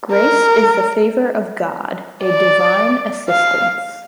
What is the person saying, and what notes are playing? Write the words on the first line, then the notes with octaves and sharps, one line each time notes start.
Grace is the favor of God, a divine assistance.
A#4
D5
F5